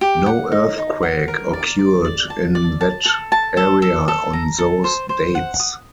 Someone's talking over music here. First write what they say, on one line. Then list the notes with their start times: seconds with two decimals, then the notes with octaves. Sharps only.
No earthquake occurred in that area on those dates.
0.01 G4
0.26 F#5
0.52 D#4
0.78 D#4
1.03 F#5
1.28 A#4
1.53 D5
1.79 D5
2.04 D5
2.30 A5
2.55 D5
2.81 A5
3.06 A4
3.32 A5
3.57 A4
3.82 A4
4.08 A4
4.33 A#5
4.58 A4
4.84 C5
5.09 C5
5.35 F#5
5.60 D#6